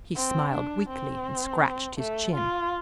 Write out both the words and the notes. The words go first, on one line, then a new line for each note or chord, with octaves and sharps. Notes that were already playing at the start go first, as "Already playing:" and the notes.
He smiled weakly and scratched his chin.
C4
D4
C4
A3
F4